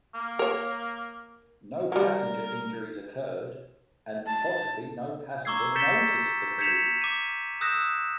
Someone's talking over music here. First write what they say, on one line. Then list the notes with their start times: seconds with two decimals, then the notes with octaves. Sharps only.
No passenger injuries occurred, and possibly no passenger noticed the collision.
0.15 A#3
0.39 A#4 C#5
1.92 F#3 G3 A#4
4.26 A5
5.45 A#5 C#6 D6 E6 G#6 C7
5.75 G6 A6 B6 C#7 E7 G7
6.59 G6 G#6 B6 C#7 E7 F7
7.02 D6 D#7
7.61 D#6 E6 F#6 G6 A#6 E7